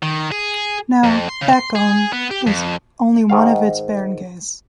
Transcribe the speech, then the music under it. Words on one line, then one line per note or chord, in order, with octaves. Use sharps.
Now, Bacong is only one of its barangays.
D#3
G#4
F2
C6
C#3
C6
G#4
B3
G4
F2
G#2 D#3 F5